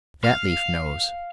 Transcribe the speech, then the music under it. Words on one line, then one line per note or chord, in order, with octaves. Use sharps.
That leaf knows.
F5